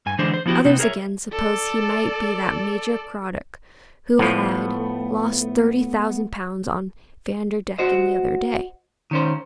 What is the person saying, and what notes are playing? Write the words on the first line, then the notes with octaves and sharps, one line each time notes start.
Others, again, supposed he might be that Major Craddock who had lost thirty thousand pounds on Vanderdecken the other day.
G2 G#5
D3 E3 G#3 D4 C5
C5
F3 B3 E4 F#4 G4
C3 B3 C4 D#4
G#4 A#4 C5 C#5 E5
A4 D5
A2 F3 A3 B3
F#4 C5 D#5
D#3 C#4 C5